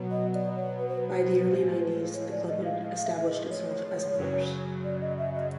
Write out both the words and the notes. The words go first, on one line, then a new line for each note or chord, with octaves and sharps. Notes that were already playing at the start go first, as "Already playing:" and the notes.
By the early nineties the club had established itself as a force.
Already playing: B2 F#3 B3
D#5
D5
C#5
B4
C5
B4
C5
A2 F3 G#3 C5
C5
B4
C#5
D5
D#5
F5
F5
E5
E5
D#5
C#5
F#2 C#3 F#3
D5
D#5
E5
D#5